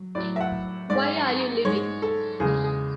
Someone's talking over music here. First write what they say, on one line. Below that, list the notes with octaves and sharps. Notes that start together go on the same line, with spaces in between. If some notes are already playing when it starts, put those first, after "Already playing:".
Why are you leaving?
Already playing: F#3
A2 F#3 D5
E5
F#5
G#2 G#3 D5
G#2 G#3 C#5
A4
E2 C#3 G#3 G#4
G#4